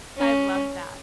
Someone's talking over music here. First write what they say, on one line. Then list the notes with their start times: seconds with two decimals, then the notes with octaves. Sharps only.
I love that.
0.18 C#4